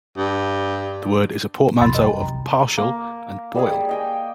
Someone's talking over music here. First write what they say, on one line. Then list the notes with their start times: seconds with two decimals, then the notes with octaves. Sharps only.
The word is a portmanteau of partial and boil.
0.18 G2
1.80 C2 F#2 B5 C6 A6
1.95 F#2 G3 D#5 G5
2.22 C2 A#5
2.34 D2
2.78 A#3
3.55 G3 G#3 G#4
3.89 D#5 G5 G#5